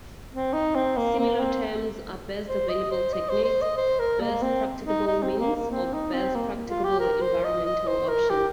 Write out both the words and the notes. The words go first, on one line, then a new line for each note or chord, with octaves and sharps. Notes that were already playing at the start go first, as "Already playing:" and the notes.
Similar terms are "best available techniques", "best practicable means" or "best practicable environmental option".
C4
D#4
C4
A#3
A#3
C4
C5
D#5
C5
D#5
C5
C5
D#5
C5
A#4
A#3
C4
D#4
D#4
C4
A#3
A#3
C4
D#4
C4
A#3
F4
G4
A#4
C5
D#5
D#5
C5
A#4
G4